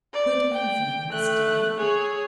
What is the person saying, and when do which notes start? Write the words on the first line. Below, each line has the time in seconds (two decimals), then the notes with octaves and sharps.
"Good-evening, Miss Day."
0.13 D5
0.53 G5
1.10 A3 F#6
1.77 G#4 C#5